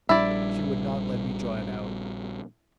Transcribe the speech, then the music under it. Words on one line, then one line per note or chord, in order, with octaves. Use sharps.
She would not let me draw it out.
A#1 G3 D4 E4 D5